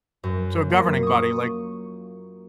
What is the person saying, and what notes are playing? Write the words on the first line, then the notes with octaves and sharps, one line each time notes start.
So, a governing body, like
F#2
F#3 A#3 F4
C#6 D#6